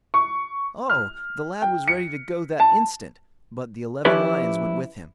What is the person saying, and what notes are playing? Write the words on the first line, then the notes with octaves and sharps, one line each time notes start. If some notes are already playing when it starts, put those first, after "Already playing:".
Oh! the lad was ready to go that instant; but the eleven lions went with him.
C#6
F6
G5
C#7
A5
F3 C#4 E4 G4 B4 D5